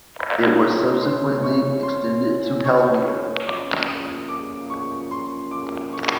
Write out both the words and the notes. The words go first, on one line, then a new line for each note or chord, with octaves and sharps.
It was subsequently extended to Haldia.
G#3 C4 F4 G#4 C#5 B5
C6
C6
C#6
C6
C#6
F3 A#3 C#4 F4 D6
D#6
D6
C#6
C6
D6
C#6